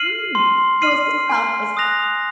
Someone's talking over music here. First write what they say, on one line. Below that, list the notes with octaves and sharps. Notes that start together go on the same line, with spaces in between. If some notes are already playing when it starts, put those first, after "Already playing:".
Mm! So is this com is
Already playing: F6 C7 D#7 F#7
C6
F6 C7 D#7 F#7
G#5
D#6 F#6 A#6 F7